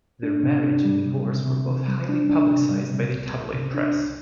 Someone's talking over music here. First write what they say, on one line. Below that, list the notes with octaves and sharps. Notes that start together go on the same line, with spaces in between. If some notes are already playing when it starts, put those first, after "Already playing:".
Their marriage and divorce were both highly publicised by the tabloid press.
D4
C3
D4
G3
C3
C3
C3
C3
G3
D4
D4
C3
G3
C3
C2
C2
C3
D4
C2